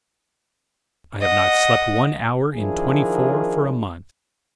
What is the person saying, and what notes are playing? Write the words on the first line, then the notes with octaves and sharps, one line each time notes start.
I have not slept one hour in twenty-four for a month.
D#5 F#5
D#3 F3 D4 E4 G#4 A#4